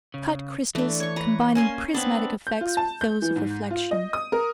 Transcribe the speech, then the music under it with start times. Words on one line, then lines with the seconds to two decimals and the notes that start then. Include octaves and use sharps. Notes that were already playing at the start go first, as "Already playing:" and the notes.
Cut crystals combining prismatic effects with those of reflection.
0.14 C#3
0.75 E3 A3 D4
1.00 C#5 C#6
1.16 B4 A#5
1.55 A#3 C#4 G#5 C6
1.94 B3 C4 D4 B4
2.47 G6
2.61 F4
2.77 A5
3.01 G6
3.22 E3
3.36 G#2
3.71 F4
3.91 D#5
4.13 D#6
4.32 A#4